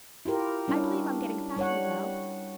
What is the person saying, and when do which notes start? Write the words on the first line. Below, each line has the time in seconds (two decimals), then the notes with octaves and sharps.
I believe I'm getting fatter, though.
0.25 E4 F4 G4 A#4
0.68 G3 C#4 D4 E4
1.57 G3 C#5 F#5